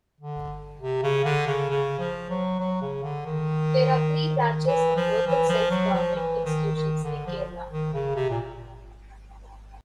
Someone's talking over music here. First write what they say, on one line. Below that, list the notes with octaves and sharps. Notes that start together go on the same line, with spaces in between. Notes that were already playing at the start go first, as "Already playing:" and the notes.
There are three branches of local self-government institutions in Kerala.
D3
C3
C#3
D3
C#3
C#3
F3
F#3
F#3
C#3
D3
D#3
D#3
E3
F3
E3
F3
F#3
F3
E3
D#3
D#3
D3
F3
D#3
C#3
C3
A#2